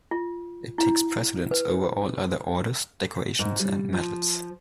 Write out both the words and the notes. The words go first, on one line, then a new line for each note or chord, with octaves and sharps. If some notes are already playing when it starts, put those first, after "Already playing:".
It takes precedence over all other Orders, decorations and medals.
F4
E4
B4
G#2
G3
F3